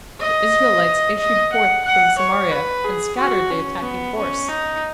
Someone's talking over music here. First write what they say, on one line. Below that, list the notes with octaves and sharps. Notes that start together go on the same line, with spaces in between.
The Israelites issued forth from Samaria and scattered the attacking force.
D#5
D#5
F#5
F#5
C#5
B4
G#4
F#4
C#4
B3
C#4
D#4